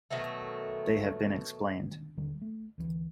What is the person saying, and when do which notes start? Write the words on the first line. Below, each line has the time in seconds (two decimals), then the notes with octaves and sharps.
They have been explained.
0.10 B2 D#3 F#3 A3
2.17 D#1 D3 G3
2.42 A3
2.78 D2 E3